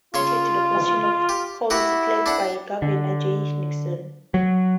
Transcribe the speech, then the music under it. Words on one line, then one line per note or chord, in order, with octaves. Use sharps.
Chris Flanagan was appointed to the position of County Clerk by Governor Jay Nixon.
C#3 F4 C#5 C6
G4
E4 F#4 G4 F#5
D4 F#5
D3
F#3